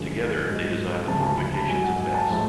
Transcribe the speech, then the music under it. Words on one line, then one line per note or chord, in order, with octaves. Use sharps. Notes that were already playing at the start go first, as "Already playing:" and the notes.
Together, they designed the fortifications of Metz.
Already playing: F#2 D3 F3 G#3
G#2 F#3
D2 C#3 F3 G#3 A5
A5
B5
A5
G#2 F#3 G#5
F#5
G#5
A5
A2 F3 G#3 A5